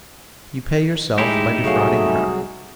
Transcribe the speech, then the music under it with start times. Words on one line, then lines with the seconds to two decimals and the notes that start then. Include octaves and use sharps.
'You pay yourself by defrauding her.
1.18 A2 G#3 D#4 E4 G4 G#4
1.64 C2 F#3 A3 F#4 G#4 F5